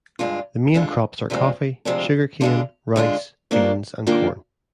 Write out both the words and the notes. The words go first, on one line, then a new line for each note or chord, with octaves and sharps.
The main crops are coffee, sugarcane, rice, beans, and corn.
G2 D3 G#3 D4 F4
G2 D3 G#3 D4 F4
D2 C3 F3 G#3 D4
D2 C3 F3 G#3 D4
D3 G#3 D4 F4
D3 G#3 D4 F4
G#2 D#3 A#3 D4 F4
G#2 D#3 A#3 D4 F4